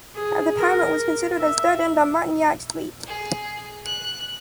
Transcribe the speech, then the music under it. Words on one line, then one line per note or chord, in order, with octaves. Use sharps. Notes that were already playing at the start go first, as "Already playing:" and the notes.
At the time, it continued as dead end on Martignac street.
G#4
A#4
E5
G#4
F#6